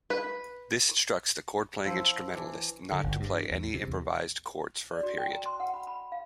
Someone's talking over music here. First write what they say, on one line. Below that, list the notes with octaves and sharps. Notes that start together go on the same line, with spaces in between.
This instructs the chord-playing instrumentalist not to play any improvised chords for a period.
B4
F3 E4 F#4 C5
E3 D4
D3
G1
G2
E2
C3
E2
D5
F#4
G5
A#5
C6
F#5
B5
B5
F5